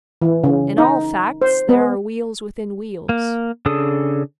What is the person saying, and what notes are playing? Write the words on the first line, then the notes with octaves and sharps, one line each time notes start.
In all facts there are wheels within wheels.
E3
C#3
D#4
C5
B3
A#3
C#3 D4 G#4 A4 D#6